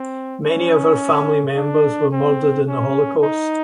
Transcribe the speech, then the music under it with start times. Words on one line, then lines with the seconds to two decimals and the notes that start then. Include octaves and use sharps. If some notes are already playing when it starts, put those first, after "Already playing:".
Many of her family members were murdered in the Holocaust.
Already playing: C4
0.45 C#4
1.56 D4
2.12 C4
2.68 C#4
3.23 D#4